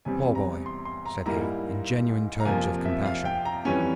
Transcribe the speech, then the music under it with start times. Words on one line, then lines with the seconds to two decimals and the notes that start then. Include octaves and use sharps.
"Poor boy!" said he, in genuine tones of compassion.
0.05 E2 C3 G3 C4 G#5
0.35 A#5
0.66 C6
0.85 C6
1.06 A#5
1.26 G#2 G3 A#3 E4 A#5
2.40 A#5
2.45 F2 C3 F3 A#3 G#5
2.85 E5
3.06 F5
3.25 G5
3.45 A#5
3.65 F2 E3 G3 C#4 G#5